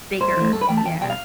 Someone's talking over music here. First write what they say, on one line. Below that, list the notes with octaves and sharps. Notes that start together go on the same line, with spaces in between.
bigger, yeah.
G2 C5
E3 A3
G2 A4
B4
E3 A3 G5
A5
E2 G5
B2 G3 G5
F5